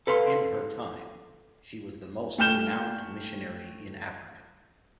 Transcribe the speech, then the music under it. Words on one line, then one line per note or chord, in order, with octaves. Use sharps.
In her time "she was the most renowned missionary in Africa".
A4 B4 F5 C6
A3 G5 F6 G6 E7 G7